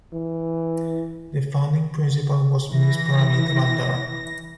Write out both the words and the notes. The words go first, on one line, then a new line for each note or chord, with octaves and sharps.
The founding principal was Miss Paramita Bandara.
E3
E3 A#6